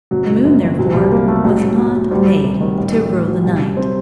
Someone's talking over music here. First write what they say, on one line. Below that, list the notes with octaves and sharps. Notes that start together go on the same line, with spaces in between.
The moon, therefore, was not made "to rule the night."
F#1 F#3
F#1
F#2
D#3
C2 F#3
C2 G3
C3 A#3
F#3 A3
A1 F#3
A1
A2 F#3
F#3
D2 G3
D2
C3
D#3
A1
A1
A2
F#3
C2
C2
C3 C4